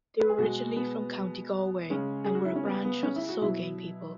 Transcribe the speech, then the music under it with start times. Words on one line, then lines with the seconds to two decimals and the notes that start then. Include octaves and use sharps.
They were originally from County Galway and were a branch of the Soghain people.
0.20 B4
0.30 G#4
0.38 B2 G#3 F#4
0.76 B3
1.90 C#3 G#3 C#4
2.25 G#4
2.35 F#4
2.45 E4
2.56 C#4
2.65 B3
2.85 B3
3.03 C#4
3.16 E4
3.29 F#4
3.41 B2 F#3 E4